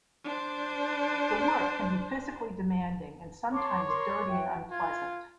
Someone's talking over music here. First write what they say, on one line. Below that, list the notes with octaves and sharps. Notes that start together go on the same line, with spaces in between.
The work can be physically demanding and sometimes dirty and unpleasant.
D4 C5
C#5 A5 C6 D6
A#4 C6 D6
F#4 E5 G5
F4 G#6